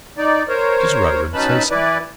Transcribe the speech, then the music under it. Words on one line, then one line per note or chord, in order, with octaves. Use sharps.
"Does Rowland say so?"
D#4 D5
A#4 C5 C#5
F#3 C#4 D#4 B4 A5 B5
E3 E4 B4 D5